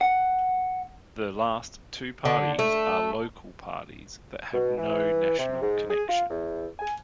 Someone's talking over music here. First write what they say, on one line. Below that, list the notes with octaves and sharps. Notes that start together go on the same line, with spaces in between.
The last two parties are local parties that have no national connection.
F#5
D3
A3
B2
E3
C3
G#2
G#4
F4
E2
G#5